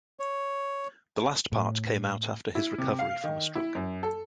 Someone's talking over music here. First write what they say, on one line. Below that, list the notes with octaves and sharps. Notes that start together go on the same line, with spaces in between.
The last part came out after his recovery from a stroke.
C#5
A2
E4
C3
F5
D#3
E4
F#2
A4